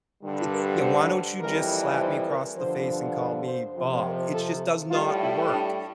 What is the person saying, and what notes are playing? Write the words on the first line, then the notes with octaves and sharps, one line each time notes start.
it's "Yeah, why don't you just slap me across the face and call me Bob?" It just does not work.
G2 D3 G3
A#4
C5
F2 E3 G3 A#4
C5
A#4
G2 D3 F3 C5
A#4
C5
F2 C3 F3
A#4
A4
A2 G3 F4
E4
D4